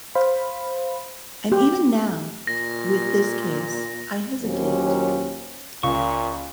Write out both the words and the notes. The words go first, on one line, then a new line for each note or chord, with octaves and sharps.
And even now, with this case, I hesitate.
C5 F5 B5
G4
A#2 A#6
D#2 A#2 F#3 A#3 C#4 C5
C#2 A#2 C#6